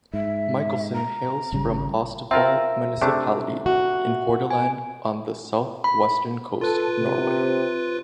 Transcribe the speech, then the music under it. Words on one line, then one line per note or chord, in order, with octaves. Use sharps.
Michelsen hails from Austevoll municipality in Hordaland on the south-western coast of Norway.
G#2 E5
A#5
G#1 C#3 G3
C4 F4 A#4 E5 A#5
C3 A3 D4
F#4
G#5
B5
F4 A4 B4
C3